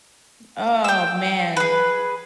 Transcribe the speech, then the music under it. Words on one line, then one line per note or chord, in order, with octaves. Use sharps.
Oh man.
G5 E6
G#4 B4